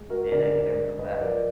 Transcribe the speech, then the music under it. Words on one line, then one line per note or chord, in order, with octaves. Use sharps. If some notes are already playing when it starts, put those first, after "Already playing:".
And I can never come back?
Already playing: G#3
F#4 A#4
D3 A#4 D5
A#4 D5
G#3
B4 D#5
F3 A#4 D5